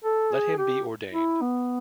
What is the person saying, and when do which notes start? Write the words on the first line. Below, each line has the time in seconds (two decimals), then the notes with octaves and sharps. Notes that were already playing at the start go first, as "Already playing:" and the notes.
Let him be ordained.
0.04 A4
0.32 G#4
0.58 G4
1.13 E4
1.41 B3